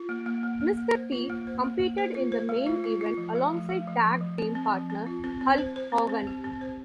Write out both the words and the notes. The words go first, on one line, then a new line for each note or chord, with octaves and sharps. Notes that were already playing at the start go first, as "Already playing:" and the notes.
Mr. T competed in the main event alongside tag team partner, Hulk Hogan.
Already playing: F4
A#3
A#3
A#3
A#3
A#3
C5
F4
A#3
C5
A#3
A#3
C5
F4
C5
A3
F4
F4
F4
F3
A3
F3
A3
F3
F3
F3
C4
C4
F3
C4
F4
C4
C4
C5
C5
C4
C4
G4
C4
C5